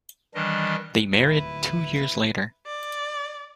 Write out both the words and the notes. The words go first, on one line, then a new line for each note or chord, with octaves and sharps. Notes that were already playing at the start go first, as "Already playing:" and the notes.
They married two years later.
D#3 E3 G3 D4 D#5
D1 D#2 E4 B4
D5